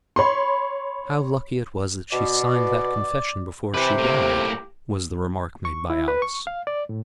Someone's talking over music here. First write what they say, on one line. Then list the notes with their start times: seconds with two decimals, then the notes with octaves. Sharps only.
"How lucky it was that she signed that confession before she died," was the remark made by Alice.
0.16 C#5 B5 C6
2.13 B2 D5
3.74 C3 E4 G4 B4
3.98 A2 A#3
5.65 C#6
5.90 E4
6.08 B4
6.22 C#6
6.47 F5
6.67 D5
6.89 A2